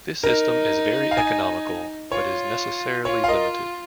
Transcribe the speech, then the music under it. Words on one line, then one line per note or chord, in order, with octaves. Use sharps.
This system is very economical, but is necessarily limited.
D#4 A#4
F5
D#5 G#5
F4 C#5
F4 C#5
F5
A#4 D#5